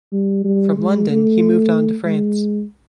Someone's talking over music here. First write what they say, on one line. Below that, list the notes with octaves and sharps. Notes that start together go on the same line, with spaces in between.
From London he moved on to France.
G3
G3
G#3
A3
G#3